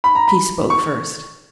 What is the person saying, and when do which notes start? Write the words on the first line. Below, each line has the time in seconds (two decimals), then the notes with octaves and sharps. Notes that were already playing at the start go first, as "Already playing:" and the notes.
She spoke first.
0.04 B5
0.15 A#5
0.28 B5
0.70 C#6